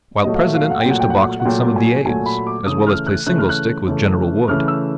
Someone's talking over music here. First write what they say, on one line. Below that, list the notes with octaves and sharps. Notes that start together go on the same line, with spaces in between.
While President I used to box with some of the aides, as well as play single-stick with General Wood.
A#2 F#3 A3 D#5
F5
E5
F5
F#5
G5
A#2 F#3 A3 F#5
G5
F#5
F#5
A#2 F#3 A3 G5
G#5
A#2 F#3 A3 G#5
B5
D6
C#3 E3 A3 D#6
F6
F#6
C#3 E3 A3 F#6
F6
F#6
C#3 E3 A3
C#3 E3 A3 F6
E6